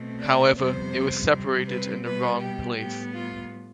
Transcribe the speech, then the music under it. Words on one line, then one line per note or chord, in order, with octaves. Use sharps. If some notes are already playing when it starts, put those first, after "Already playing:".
However, it was separated in the wrong place.
Already playing: B2 A3 C4
D5
F2 C3 G3 B3 C5
C3 G3 C4
B4
B2 G3 B3 B4
G4
A2 G3 B3 G4
F4